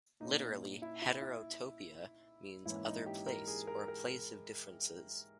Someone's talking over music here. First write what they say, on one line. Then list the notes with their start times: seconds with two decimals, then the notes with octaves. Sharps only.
Literally, heterotopia means "other place" or "a place of differences".
0.20 A#2 A#3 C#4 D#4
0.82 E4
1.02 E4
1.22 E4
2.66 G#2 E3 A#3 C#4 E4
2.86 D#4
3.06 G4
3.26 A#4
3.47 G#4
3.67 A#4
3.88 A#4